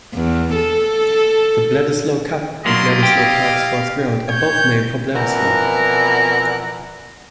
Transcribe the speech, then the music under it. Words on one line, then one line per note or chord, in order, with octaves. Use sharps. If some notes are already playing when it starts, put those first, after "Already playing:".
The Bledisloe Cup and Bledisloe Park sports ground are both named for Bledisloe.
E2
A4
F#3 A#3 E4 D5 D#5 C6
G4 F5
C#5 G6
F2 B2 E3 A#4 D5 F#5